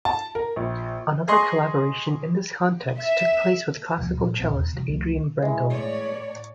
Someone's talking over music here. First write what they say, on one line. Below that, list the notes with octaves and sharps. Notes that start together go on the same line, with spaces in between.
Another collaboration in this context took place with classical cellist Adrian Brendel.
A5
A#4
A#1
G#4 D#5 C6 C#6 D#6
E5
D2 B2 F3 A3
A#2 F#3 G3
D1 A#2 C4
E2
C3 E3 G3
C#2 F3 A3
E3 G#3
A2 C#5 D5